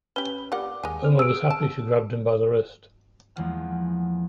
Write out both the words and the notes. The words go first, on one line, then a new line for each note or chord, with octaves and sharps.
Omer was happy she grabbed him by the wrist.
C#4 G4 B4 G7
A#3 F4 G4 D5 F#5 D6
D#2 G#3 G#5
C4 F6
G#4 E6 D7
A5
E2 F3 G#3 A#3 F#5 F6